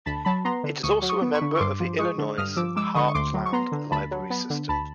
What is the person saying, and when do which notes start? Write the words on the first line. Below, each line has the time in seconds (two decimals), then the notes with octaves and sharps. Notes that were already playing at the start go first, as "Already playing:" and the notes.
It is also a member of the Illinois Heartland Library System.
0.06 D2 A5 B5
0.25 F#3 A5 B5
0.45 B3 A#5 C6
0.64 D3
0.83 D2 C#6 D#6
1.02 F#3
1.09 C#6 D#6
1.22 B3
1.34 B5 C#6
1.41 D3
1.55 C#6
1.60 G2 C6 D6
1.80 F3
1.99 G#3 C#6 D#6
2.18 D3
2.37 G2 D#6 F6
2.56 F3 D6 E6
2.76 G#3 D6 E6
2.95 D3 C#6 D#6
3.08 C#6
3.14 D2 C6 D6
3.34 F#3
3.46 C#6
3.53 B3 A#5 C6
3.72 D3
3.91 D2 A5 B5
4.11 F#3
4.30 B3
4.50 D3
4.69 D2 A5 B5